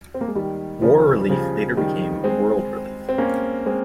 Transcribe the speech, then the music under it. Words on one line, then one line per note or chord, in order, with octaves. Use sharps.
War Relief later became World Relief.
C4
A#3
G#3
D#3 G3
C#3 F3
G3
C#3 F3
D#3 G3
G#3 C4
C4
A#3 C#4
G#3 C4